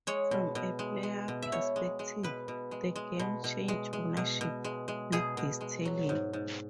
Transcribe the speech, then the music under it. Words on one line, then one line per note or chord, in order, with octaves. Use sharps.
From a player perspective, the game changed ownership with this telling.
G#3 C#5
B2
B2
G#3
G#3
B2
E5
B2 C#5
G#3
G#3
B2 B4
B2
G#3
G#3
B2
B2
G#3
G#3
B2
B2
G#3
G#3
B2 G#4
B2
G#3
F#3
G#2
G#2